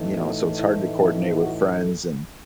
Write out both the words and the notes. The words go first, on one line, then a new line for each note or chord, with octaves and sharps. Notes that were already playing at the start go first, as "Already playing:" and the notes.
you know, so it's hard to coordinate with friends and,
Already playing: A2 E3 A3 D#4
F#4
E4
E4
F#4
A4